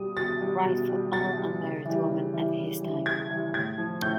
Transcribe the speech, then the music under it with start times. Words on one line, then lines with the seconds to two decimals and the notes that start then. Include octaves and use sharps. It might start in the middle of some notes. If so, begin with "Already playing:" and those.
Right for all unmarried women at his time.
Already playing: B2 G3 D#6
0.17 B2 A6
0.41 G3
0.66 B2
0.90 G3
1.13 B2 A6
1.37 G3
1.61 C#3
1.85 E3 G3
2.09 C#3
2.33 E3 G3
2.58 C#3
2.82 E3 G3
3.06 C#3 G#6
3.30 E3 G3
3.54 A2 G#6
3.78 F3
4.02 A2 G6